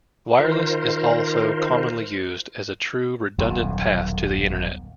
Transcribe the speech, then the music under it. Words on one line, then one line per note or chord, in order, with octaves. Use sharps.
Wireless is also commonly used as a true redundant path to the Internet.
D#3 F4 A#4 C5
D#1 B1 F#2 A2